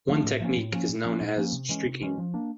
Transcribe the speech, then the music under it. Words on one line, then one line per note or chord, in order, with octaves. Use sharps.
One technique is known as "streaking".
F3 A3 D4
A2
F3 A#3 C#4
A2
F3 A#3 C#4
A#2
F3 A#3 C#4
A#2
F3 A#3 C#4
C3
E3 G#3 C#4
C3
E3 G#3 C#4
F3
A#3 D4